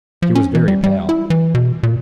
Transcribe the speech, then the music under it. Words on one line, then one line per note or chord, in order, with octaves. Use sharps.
He was very pale.
F3
C#4
E3
G3
G3
E4
E3
B2
A#2